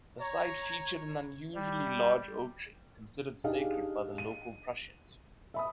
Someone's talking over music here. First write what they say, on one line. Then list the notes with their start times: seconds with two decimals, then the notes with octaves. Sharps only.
The site featured an unusually large oak tree, considered sacred by the local Prussians.
0.21 C#5 A#5
1.54 G3
3.44 D4 D#4 G4 G#4 D#5 F5
4.18 D#7
5.54 E5 B5 D#6